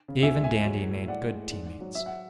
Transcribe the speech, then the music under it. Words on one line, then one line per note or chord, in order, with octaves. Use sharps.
Dave and Dandy made good team-mates.
C#3
D2 E5 G#5
G#3
E5 G#5
G#3
F#3
A2
A2
A2 D5 F#5
G#3
A2
G#2
G#2
F#3
F#3 E5
F#5